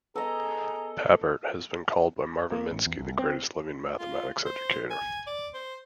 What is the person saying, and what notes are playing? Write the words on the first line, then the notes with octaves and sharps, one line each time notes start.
Papert has been called by Marvin Minsky "the greatest living mathematics educator".
B3 G#4 A4 D#5 A#5
A#3
A1
E2
C2
C4
F4
C5
G#5
D5
C5